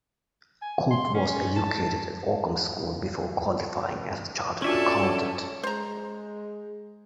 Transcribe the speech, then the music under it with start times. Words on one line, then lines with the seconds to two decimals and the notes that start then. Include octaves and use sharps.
Cope was educated at Oakham School before qualifying as a Chartered Accountant.
0.62 G#5
0.91 C6
1.15 C#4
1.56 A5
4.62 C#4 D4 F4 F#4 A4 D5 E5 G#5
5.03 C#5 F#5 A5
5.63 G#3 C5 A#5